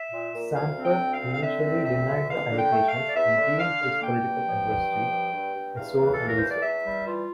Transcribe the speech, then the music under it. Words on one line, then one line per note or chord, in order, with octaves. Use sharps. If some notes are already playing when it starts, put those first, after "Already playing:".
Samper initially denied the allegations and deemed his political adversary a sore loser.
Already playing: E5
A#2
A#2
D2 F5
C4
G5
D2
F5
C4
F5
D3 E5
C4
D2 E5
D3
E2 F5
D3
G5
A3
F5
A3
D5
E2 E5
D3
D3 F5
D3
A#3 G5
G2
F3
G2
F3
G2
G2
G2
E2 F5
E3
A4
E2
A#4
E3 C5
D5
E2 E5
G3
E3 F4